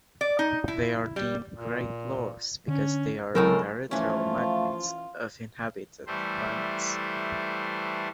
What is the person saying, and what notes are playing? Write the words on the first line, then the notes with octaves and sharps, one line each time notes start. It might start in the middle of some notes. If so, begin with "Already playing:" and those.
They are deemed great lords because they are territorial magnates of inhabited planets.
D5
D#4
E4
G3
A#2
D3 C#4
C2 A2 C#3 F#3 G#3 C4 A4 A#4
E3 F3 A3 C#4 F4
E3 G3 A3 C5